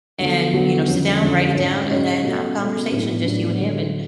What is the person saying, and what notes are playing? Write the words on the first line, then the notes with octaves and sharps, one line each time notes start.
and you know, sit down, write it down, and then have a conversation, just you and him and
D3 F#3 B3 F#4 A4
D3 F#3 B3 F#4 A4
F2 D3 G#3 C#4
F2 D3 G#3 C#4
G#2 G#3 C#4 F#4 C#5
G#2 G#3 C#4 F#4 C#5
B2 A3 C#4 F#4
B2 A3 C#4 F#4
A2 F#3 B3 D4
A2 F#3 B3 D4
D3 F#3 A3